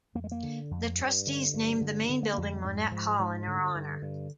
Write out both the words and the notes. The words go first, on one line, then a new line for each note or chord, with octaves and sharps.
The trustees named the main building Monnett Hall in her honor.
F2 A#3
G#3
A#3
D3
F2
G2
D3
G2
D3
D3
A#3
F2 A#3
G#3
G#2 G3
G#2 F3
G#2 F3
G2 D3
G2
G2